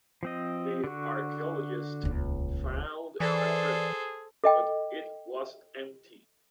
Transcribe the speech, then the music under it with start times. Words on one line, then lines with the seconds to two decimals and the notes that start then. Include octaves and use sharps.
The archaeologists found a crypt, but it was empty.
0.23 F3 C4 D#5
0.84 D3 F#4
2.03 D#1 C#2
3.20 E3 G#4 A4 C5 D5
4.44 A4 D#5 G5